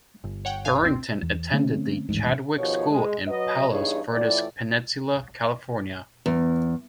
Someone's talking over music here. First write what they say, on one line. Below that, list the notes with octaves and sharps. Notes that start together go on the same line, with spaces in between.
Thorrington attended the Chadwick School in Palos Verdes Peninsula, California.
G1
C#5 F#5 G5
F5 G#5
D2 C4
E2
D3 A3 C4 C#4
D#1 A1 G#2
B2 D#3 F3 G4 C#5
G#3
F#3 B4 D#5
E2 G2 D#4 E4 G#4 C#5
A2 E3 E4 F4 D5
E2